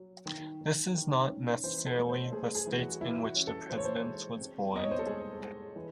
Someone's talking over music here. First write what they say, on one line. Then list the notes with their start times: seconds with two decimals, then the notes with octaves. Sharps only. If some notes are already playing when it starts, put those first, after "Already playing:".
This is not necessarily the state in which the president was born.
Already playing: F#3
0.26 D#3
0.61 D#3
0.95 D#3
1.30 C#4
1.64 E3 C5
1.86 A4
1.98 A3
2.09 C5
2.32 A3 G#4
2.55 G#4
2.67 E3
2.79 F#4
3.01 E3 E4
3.24 F#4
3.36 C#4
3.47 A4
3.69 E3 C5
3.78 C#5
3.85 C5
4.04 G#3
4.38 C4
4.73 E2 D#5
4.83 C#5
4.91 C5
4.99 A4
5.07 G#3 G#4
5.41 G#3
5.76 E3